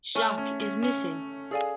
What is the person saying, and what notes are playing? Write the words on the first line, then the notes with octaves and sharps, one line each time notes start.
Jacques is missing!
A3 C#5 G#5 C#6 F6
C#4
C#4
C#4
G#4 A4 D5 F5 G#5